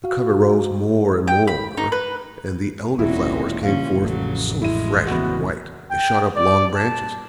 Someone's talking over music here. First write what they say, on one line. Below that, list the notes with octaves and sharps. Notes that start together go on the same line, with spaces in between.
The cover rose more and more; and the Elder-flowers came forth so fresh and white, and shot up long branches.
F#4 F5
G5
B5
D#4
B4
E1 A#2 C4 C#4 D#4 E4 F#4
A#2 C#3 E3 G3 C#4 F5
A1 F2 A2 C#3 F#3 A3
G#3 E4 D#7
D#2 C#3 E3 B3 F#4
G5
D5
A5